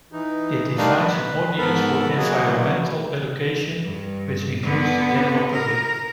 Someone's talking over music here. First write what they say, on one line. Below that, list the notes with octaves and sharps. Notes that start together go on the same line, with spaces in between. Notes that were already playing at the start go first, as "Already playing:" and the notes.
It defines an audience for environmental education, which includes the general public.
E3 D#4
G3 A3 D4 D#4 A#4 F5
B4
G#2 B3 A4 A#4 B5
F#3 A#3 F#4 G#4 D#5
B2 D3 E3 F#3 A3 A#3
G2
D3 B3
A#4